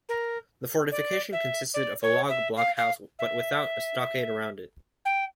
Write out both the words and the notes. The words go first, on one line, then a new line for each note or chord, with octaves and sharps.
The fortification consisted of a log blockhouse but without a stockade around it.
A#4
D5
E5
D5
C#5
E5
F5
F5
E5
G5